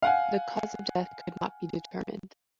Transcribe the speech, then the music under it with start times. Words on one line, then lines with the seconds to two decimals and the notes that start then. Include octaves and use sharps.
The cause of death could not be determined.
0.02 F5 F#5 G#5